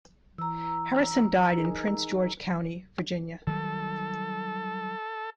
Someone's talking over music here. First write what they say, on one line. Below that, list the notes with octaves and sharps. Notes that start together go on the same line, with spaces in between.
Harrison died in Prince George County, Virginia.
E3 A#5 E6
D#4 G#4 A#4
D#3 F#3 G3 A4